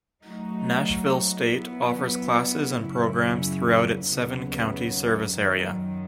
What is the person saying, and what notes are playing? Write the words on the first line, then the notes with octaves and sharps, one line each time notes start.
Nashville State offers classes and programs throughout its seven county service area.
F#3 A3 D#4 F#4
F#3 B3 E4
F#2 C#3 F#3 C#4 E4
D#2 C#3 F#3 B3
F#2 D#3 F#3